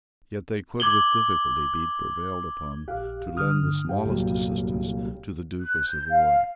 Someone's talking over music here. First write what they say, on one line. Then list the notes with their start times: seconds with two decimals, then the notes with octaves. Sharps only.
Yet they could with difficulty be prevailed upon to lend the smallest assistance to the Duke of Savoy.
0.80 D6 G#6 F#7 G7
2.88 A#1 G4 F5 F#6
3.37 G#1 G2 D3 D#6 F6
3.89 G2 G4 F5 G5
4.06 C2 A#2 F#3
5.61 F#6
5.86 G6
6.11 F5